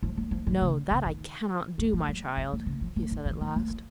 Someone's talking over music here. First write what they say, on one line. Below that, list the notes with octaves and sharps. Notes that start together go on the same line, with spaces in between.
'No, that I cannot do, my child,' he said at last.
F3
F#3
F3
D#3
C#3
C#3
D#3
F#3
F3
F#3
F3
D#3
C#3
F3
F3
D#3
D#3
F3
F#3
F3